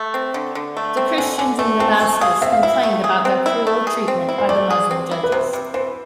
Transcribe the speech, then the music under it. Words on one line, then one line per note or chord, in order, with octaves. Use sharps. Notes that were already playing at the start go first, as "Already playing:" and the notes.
The Christians in Damascus complained about their cruel treatment by the Muslim judges.
Already playing: A3
C4
D3
D3
A3
C4
D3 G#5
D3 G#5
A3 G#5
C4 A5
A3 G#5
G#4 F5
C4 E5
F5
E4 E5
A3
G#4
C4
E4
A3
G#4
C4
E4
C5
A3 D5
G#4
C4
E4
B4
C3 C5
C3
E3 C5